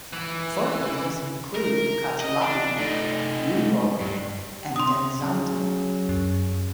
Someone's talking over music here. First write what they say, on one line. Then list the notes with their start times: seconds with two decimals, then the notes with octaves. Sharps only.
Folk rhythms include "cachullapi", "yumbo", and danzante.
0.13 E3
1.55 A#4
2.20 D#5
2.41 D4
2.78 A3 D#4
4.01 G2
4.76 C6 D#6
5.20 C#3 F#3
6.09 F#2